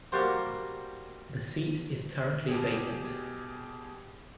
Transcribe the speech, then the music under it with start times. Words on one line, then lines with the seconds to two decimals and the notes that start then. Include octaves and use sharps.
The seat is currently vacant.
0.12 G3 A#3 F#4 G4 C5
2.49 B2 G4 G#4